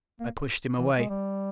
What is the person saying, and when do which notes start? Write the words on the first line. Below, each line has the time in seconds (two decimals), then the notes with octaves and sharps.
I pushed him away.
0.20 A#3
0.79 E3
0.98 G#3
1.09 G3